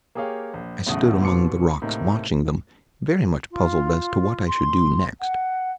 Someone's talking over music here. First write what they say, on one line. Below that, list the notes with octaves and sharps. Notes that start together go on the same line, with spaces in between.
I stood among the rocks watching them, very much puzzled as to what I should do next.
A#3 G4 G#4 C#5 F5 G5
A#1
B1 E2 A2 C#3 D#6
D#2 B2 C6 D6 C#7
A2 C3 A#3 D#4
F4
C6
F#5